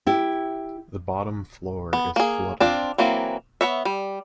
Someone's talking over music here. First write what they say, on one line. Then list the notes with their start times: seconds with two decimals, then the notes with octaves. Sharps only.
The bottom floor is flooded.
0.06 E4 G4
1.93 B3
2.16 A#3 G#4
2.60 C4 D4 F4
2.98 E3 F#3 A#3 C4
3.61 B3 C#5 E5
3.85 G3